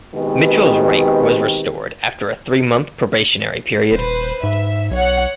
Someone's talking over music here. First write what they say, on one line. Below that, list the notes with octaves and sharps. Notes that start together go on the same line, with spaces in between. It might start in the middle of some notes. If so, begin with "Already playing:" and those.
Mitchell's rank was restored after a three-month probationary period.
B2 D#3 G#3 C4 G4 B4
D#1 B4 C5
G#2 E5
B1 C#5 F#5